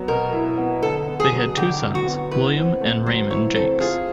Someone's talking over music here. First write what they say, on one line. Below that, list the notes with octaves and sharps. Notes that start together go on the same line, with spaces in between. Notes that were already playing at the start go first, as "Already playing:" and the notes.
They had two sons, William and Reymond Jenks.
Already playing: F#3 B3
B2 A#4
E4
B3
D3 A4
B3
G#4
F#3
D3 G4
D3
F#4
B3
E4 B4
C4
A3
F#3 C5
E4 C#5
C4 A4
F4 G#4